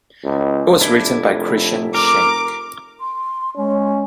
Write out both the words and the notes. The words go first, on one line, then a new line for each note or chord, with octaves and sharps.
It was written by Christian Schenk.
C#2
F1 D4 E4
A#4 D6
C6
G#3 C#4